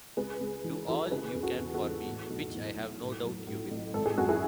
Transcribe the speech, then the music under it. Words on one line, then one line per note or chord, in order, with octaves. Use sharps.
Do all you can for me which I have no doubt you will.
C#2 G#4 B4
C#2
E3
E3 F#4 A4
C#3 G#4 B4
E2
F#4 A4
E2
F#4 A4
E2
A2
B1
A2
B1
A2
F#3
A2
A1
G#1 A4
G#4
F#2 F#4
E4 G#4